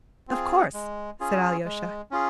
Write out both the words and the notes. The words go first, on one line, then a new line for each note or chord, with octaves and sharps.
"Of course," said Alyosha.
C4 F4 G#4
G#3
C#4 F4 G#4
G#3
C#4 F4 G#4